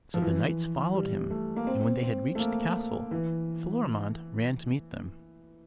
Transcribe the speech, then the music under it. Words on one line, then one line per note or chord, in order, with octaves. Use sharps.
So the knights followed him; and when they had reached the castle, Florimond ran to meet them.
F3
E3
G3
A3
A#3
C4
C4
A3
A#3
E3